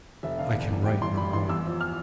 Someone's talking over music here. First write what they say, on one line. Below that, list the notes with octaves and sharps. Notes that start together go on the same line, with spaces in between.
I can write no more.
F1 E5
D3 F5
E2
E2
G3 G5
A1 C6
G3 B5
A1 C6
E2 E6
F3
F6